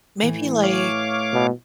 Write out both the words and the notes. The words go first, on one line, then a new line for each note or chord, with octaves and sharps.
Maybe, like
A2 E3 A3
C#5 F5 D6
B2